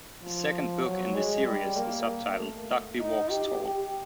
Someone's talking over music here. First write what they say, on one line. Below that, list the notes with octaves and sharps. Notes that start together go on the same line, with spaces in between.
The second book in the series is subtitled "Dogby Walks Tall".
F3
F#3
G#3
G3
A#3
A3
D#4
G4
G4